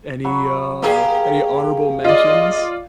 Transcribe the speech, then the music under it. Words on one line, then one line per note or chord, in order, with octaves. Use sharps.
Any, uh, any honorable mentions?
F#3 B5 C#6
A#3 G4 G#4 F5 A#5
F4 D5 D#5